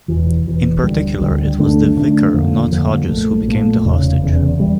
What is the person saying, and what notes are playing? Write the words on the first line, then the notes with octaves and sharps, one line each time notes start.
In particular, it was The Vicar, not Hodges, who became the hostage.
E1 E2 E3
E1 E2 E3
D2 D3 G3
D2 D3 G3
D2 D3 A3 D4
D2 D3 A3 D4
F2 D3 F3 A#3
F2 D3 F3 A#3
A#1 A#2 A3
A#1 A#2 A3
F1 E2 C#3
F1 E2 C#3
E3 G3